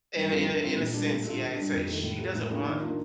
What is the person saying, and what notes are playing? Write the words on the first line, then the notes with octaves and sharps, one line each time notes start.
In a in a in a sense, yeah, it's, uh she doesn't want
G2
D3 F3 C4
D3
G3 C4 F4
A#2
G3 D4
A2
A3 D4 F4
D3
G3 D4
F2
D#3 A3
A2
F3 A3
A2
F3 A#3 D4 F4
D#3
A#3 D4 F4